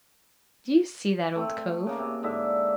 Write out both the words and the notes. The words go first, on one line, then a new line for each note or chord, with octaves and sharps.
"Do you see that old cove?"
A3 C4
C#3 A#3
C3
G#2 D3 E5